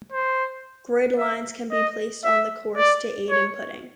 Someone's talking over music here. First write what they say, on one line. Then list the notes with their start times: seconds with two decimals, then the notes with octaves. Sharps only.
Grid lines can be placed on the course to aid in putting.
0.13 C5
1.18 E5
1.71 D#5
2.24 E5
2.77 D5
3.30 C#5